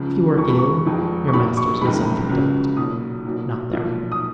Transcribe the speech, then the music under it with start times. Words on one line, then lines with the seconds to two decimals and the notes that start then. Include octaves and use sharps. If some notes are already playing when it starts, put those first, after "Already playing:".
If you are ill, your masters will send for the doctor--not their own.
Already playing: C#2 C#3 F3
0.37 F#1 F2 F3 G#3 C#6
0.48 B5
0.59 C#6
0.86 F1 F2 F3 G#3
1.28 C#6
1.33 A#1 A#2 F#3 B5
1.57 C#6
1.81 F#1 F2 D#3 G#3 B5
2.29 C#2 C#3 F#3
2.77 B1 A#2 F#3 D#6
3.25 B1 A#2 F#3
3.73 B1 A#2 F3
4.12 D#6